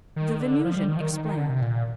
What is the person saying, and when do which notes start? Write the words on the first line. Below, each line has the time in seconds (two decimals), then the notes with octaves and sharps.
The Venusian explained.
0.16 D#3
0.40 D3
0.65 F3
0.76 G3
0.88 D#3
0.97 F3
1.00 D#3
1.13 D#3
1.24 D#3
1.37 D3
1.49 C3
1.61 A#2